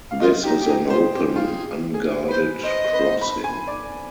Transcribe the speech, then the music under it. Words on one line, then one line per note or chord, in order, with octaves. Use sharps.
This is an open, unguarded crossing.
F5
F4 D#5
D#4 G4
G4
D#4 G#4
F4 C5
G4
F4 G#4
G#4
B4 C5
C5 D#5
B4
C5
B5
G#5
D5